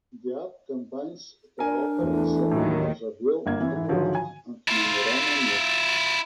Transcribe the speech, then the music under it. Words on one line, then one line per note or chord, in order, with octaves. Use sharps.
The app combines the offerings of Mazhavil Manorama and Manorama News.
D4 A#4 G#5
E2 E3 A3
D#2 A2 D#3 F#3
G1 A#3 G#6
E3
G#2 E3
G#2 D3 D#3 F3 F#3
G#5
E4 F4